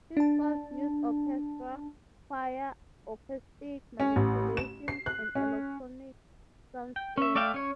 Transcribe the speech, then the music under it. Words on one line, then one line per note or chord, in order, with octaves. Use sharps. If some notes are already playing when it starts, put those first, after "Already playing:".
His scores use orchestra, choir, acoustic manipulations and electronic soundscapes.
D4 A5
C#4
A1
E7
C7
F#6
C#4
G5
C#4 E5
A3 D5 E5 F5 G5
C#4 C#5